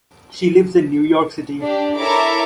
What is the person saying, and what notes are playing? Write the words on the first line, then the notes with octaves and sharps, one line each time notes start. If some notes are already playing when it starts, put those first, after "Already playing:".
She lives in New York City.
D4 G4
E4 A4 A#4 C#5 E5 D6